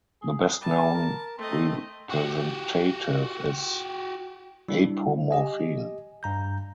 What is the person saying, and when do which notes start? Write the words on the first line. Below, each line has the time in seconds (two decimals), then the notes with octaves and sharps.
The best known representative is apomorphine.
0.22 G#4
0.61 G3 A5
0.93 A#4
1.38 A3 C4 D#5
2.10 F#4 G4
4.68 G3 D4 E4
5.31 G4 D#5 G#5
6.23 G2 A#5 G6